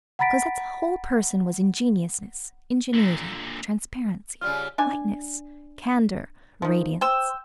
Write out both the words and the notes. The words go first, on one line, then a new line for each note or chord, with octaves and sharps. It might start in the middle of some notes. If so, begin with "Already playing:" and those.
Cosette's whole person was ingenuousness, ingenuity, transparency, whiteness, candor, radiance.
F#5 A#5 B5 A6 B6 D7
A#2 D3
C#3 G3 F4 F6
D4 G#5
D#3 F3
C5 G5 E6